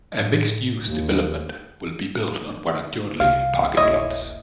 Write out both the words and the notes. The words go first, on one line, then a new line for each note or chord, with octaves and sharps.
A mixed-use development will be built on what are currently parking lots.
A2
D#2
C2 F5
D#1 A#1 E4 C#5 D#5